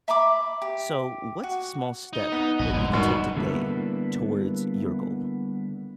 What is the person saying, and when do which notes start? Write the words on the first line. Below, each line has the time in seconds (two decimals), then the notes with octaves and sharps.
So, what's a small step that you can take today towards your goal?
0.08 E5 A#5 B5 D6
0.62 G4
1.43 F#4
2.13 D#4
2.32 B3
2.59 A#1 B4 D#5
2.74 E1 G#2 D3 G3
2.93 F#2 B2 D#3 B4
3.37 D3 G3 A#3 B3 E4